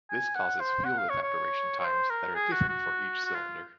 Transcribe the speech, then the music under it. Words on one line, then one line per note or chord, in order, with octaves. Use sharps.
This causes fuel evaporation times that are different for each cylinder.
G#5
F#5
C5
F#5
F5
C#5
C#5
C#5
C5
A#4
G#4
F#4
F#4
F#4
F4